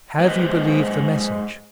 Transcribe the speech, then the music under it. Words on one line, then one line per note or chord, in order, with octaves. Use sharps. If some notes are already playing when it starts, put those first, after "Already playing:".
Have you believed the message?
G#2 B4 C5 D#5